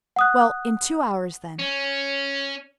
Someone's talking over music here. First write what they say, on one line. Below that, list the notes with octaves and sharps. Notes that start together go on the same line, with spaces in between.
"Well, in two hours, then."
F#5 D#6 F#6
C#4